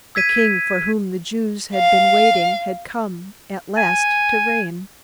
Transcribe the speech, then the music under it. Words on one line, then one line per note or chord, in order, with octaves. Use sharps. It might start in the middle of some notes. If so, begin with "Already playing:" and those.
The king for whom the Jews had been waiting had come at last to reign.
E6 G#6 B6 D#7
F5
G#5